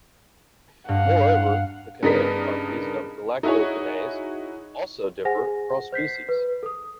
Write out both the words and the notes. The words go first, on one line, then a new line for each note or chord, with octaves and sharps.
Moreover, the kinetic properties of galactokinase also differ across species.
G2 D#5 F5 F#5
G2 C#3 B3 D#4 A#4 B6
D#4 E4 F#4 G#4 C#5
G#4 C5 F#5 G#5 A#6
C5 G6 B6 C7
B4
A4 D#6